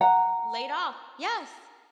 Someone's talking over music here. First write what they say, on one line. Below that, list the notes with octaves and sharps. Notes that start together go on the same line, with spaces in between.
Laid off. Yes.
F#5 A#5